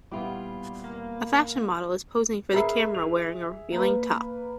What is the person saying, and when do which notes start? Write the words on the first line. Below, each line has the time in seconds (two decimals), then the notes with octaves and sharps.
A fashion model is posing for the camera wearing a revealing top.
0.11 A#2 G3 B3 E4 F4 B4 D6
0.84 A#3
2.52 G#4 A#4 E5 B5 C7
2.95 F7
3.72 A#3 B4